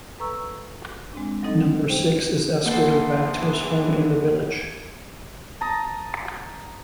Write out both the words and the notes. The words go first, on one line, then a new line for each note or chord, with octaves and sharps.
Number Six is escorted back to his home in the Village.
A4 B4 A#5 C#6 E6
G#3 C4 D4
F#3 G3 C4 D#4 A4 D#5
C5 G5
E3 A#3 B3 G#4 A4 C5 F#5
A5 A#5 D#6